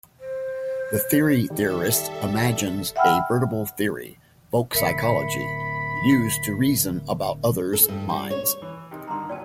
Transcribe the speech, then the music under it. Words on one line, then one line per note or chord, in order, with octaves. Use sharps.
The theory-theorist imagines a veritable theory-"folk psychology"-used to reason about others' minds.
C5
D#3 G3 A4 E5
E5 F#5 G5 B5 E6 F6
D1 A#4 E5 B5 C#7
A4
G2
G3
C#5
E3
C3 D#3
G2 D3 D#3 A#5 C6
A#2 F#3 D5 G5 A5